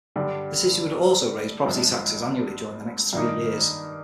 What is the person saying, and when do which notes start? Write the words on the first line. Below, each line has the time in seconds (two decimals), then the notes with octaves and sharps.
The city would also raise property taxes annually over the next three years.
0.16 G2 D3 G3
1.64 G#1 G2 F3
3.13 G2 D#3 A#3 D#4